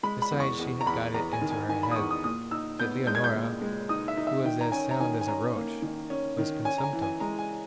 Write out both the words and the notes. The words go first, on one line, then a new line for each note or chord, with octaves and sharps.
Besides she had got it into her head that Leonora, who was as sound as a roach, was consumptive.
G#3 B5
B5
E2
C#6
E2
A#5
E2 B5
E2 A#5
G#5
D#3
G#5
D#3 G#5
B5
D#6
E2 C#6
D#6
A#2 D#6
D#4 E6
B3 G6
G#3 G6
G#6
G6
A#2
G#3
D#4 D#6
E5
D#4
E5
D#3 G5
A#5
C#4 G#5
A#5
D#3 G#5
G#5
C#4 A#5
A#3
D#3
C#4
D#3
C#4 G#5
A#5
G#5
E3
G#5
G#3 A#5
G#5